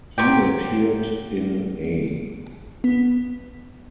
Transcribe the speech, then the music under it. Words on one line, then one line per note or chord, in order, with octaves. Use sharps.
He appeared in A.
F#3 C4 G4
B3